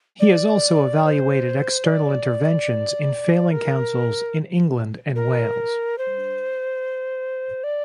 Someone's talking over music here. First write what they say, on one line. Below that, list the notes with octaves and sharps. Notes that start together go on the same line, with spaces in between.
He has also evaluated external interventions in failing councils in England and Wales.
D5
D5
C5
D5
A#4
A#4
C5
D5